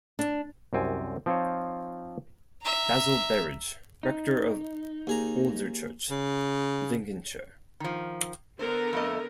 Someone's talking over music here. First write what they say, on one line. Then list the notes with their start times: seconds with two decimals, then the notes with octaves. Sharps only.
Basil Berridge, rector of Alderchurch, Lincolnshire.
0.19 D4
0.73 C2 F#2 C4 G#5
1.26 F3 C4 D#4 F4 C5 C#5
2.63 E5 A#5
4.03 D#4
5.07 D#2 G#4 A#5
6.10 C#3
7.80 D#3 F3
8.59 D3 B3 A#4 C5
8.93 F2 A3 D#5